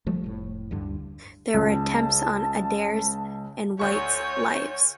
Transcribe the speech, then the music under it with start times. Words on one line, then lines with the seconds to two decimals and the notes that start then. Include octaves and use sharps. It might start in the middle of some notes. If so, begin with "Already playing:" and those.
There were attempts on Adair's and White's lives.
0.07 F3 G3 A3
0.24 F1 A2
0.71 D2 G2 D3
1.54 C#2 A5
3.79 D2 C#5 C#6 G6